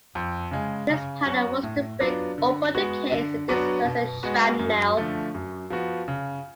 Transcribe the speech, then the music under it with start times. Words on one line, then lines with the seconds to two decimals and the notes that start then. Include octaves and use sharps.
This powder was to break open the case and disperse the shrapnel.
0.15 F2
0.51 C#3 G#3
0.89 C#3
1.26 F#3 C#4 F#4
1.63 A2
2.00 F#3 B3 D4 F4
2.38 D3
2.74 G#3 B3 F#4
3.12 D3
3.48 F#3 B3 D4 F#4
3.85 B2
4.23 G#3 B3 F#4
4.59 F#2
4.97 D3 F3 A3
5.35 F#2
5.70 F3 B3 F#4
6.08 C#3